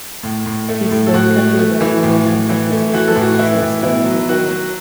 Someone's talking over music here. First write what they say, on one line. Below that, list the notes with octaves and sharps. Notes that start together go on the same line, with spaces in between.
He still kept a writing journal of his experiences during the war.
A2
A2
A3
A2
A4
A2 F#4
A3
A3
E3
A2
A2
E3
A3
E3 F#4
A4
A2
F#4
E3 E4
A2
B2 E4
F#3
F#3 F#4
F#3